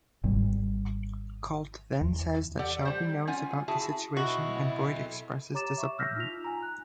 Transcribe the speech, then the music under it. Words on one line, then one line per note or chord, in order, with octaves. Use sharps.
Colt then says that Shelby knows about the situation and Boyd expresses disappointment.
G#1 G#2 G3
E2
G4 A4 D5 F#5
G3 C5
C#4 F4 F#5 G#5
E4 F#4 G#4 E5 A5
B2 E4 F#4 A4 D#5
G4 C#5 A#5 D6 A6 E7
E5 C#6
E6 F6 G6 A#6 B6
D#4 F4 F7
G#5 A#5
F#6